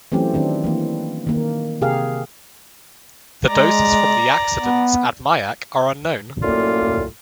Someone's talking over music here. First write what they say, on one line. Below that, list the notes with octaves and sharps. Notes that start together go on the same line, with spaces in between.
The doses from the accidents at Mayak are unknown.
E3 F#3 A3 C4 C#4 G4
D#3 C4 D4
E3 A#3
D#3 A#3
C3 G4 G#4 A#4 F5
G#3 D5 A#5
B3
F#2 A2 A#3 C#4 F4 D5